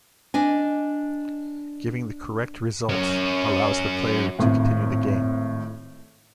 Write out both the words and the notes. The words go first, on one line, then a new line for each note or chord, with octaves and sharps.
Giving the correct result allows the player to continue the game.
D4 D#5 G#5
F#3 C#4
G#1 A2